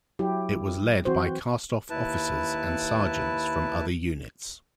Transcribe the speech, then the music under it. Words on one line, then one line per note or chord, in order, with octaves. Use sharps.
It was led by cast-off officers and sergeants from other units.
F#3 E4 G4
E3 C4 F#4 C5
D#2 E4 B4 A5